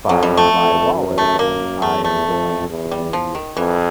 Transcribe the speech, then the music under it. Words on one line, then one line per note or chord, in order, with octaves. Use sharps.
find my wallet again, I am going to be,
F2 F#3
G3
A3
F2
F#2
A3
F#2 A#3
E2 A3
A3
F2
E2
G3
F3
D#3
F2 E3